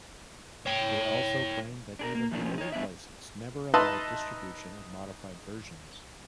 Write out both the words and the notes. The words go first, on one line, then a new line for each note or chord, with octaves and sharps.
They also claimed that even the old license never allowed distribution of modified versions.
C#5 G5
D4 G#4 A#4
A#3
E3 F3 A3 A#3 C#4 D4
A2 F3 C#4
D#4 C#5
G3 B3 D4 E5
D#4 B4 D#5 E5 A5 C6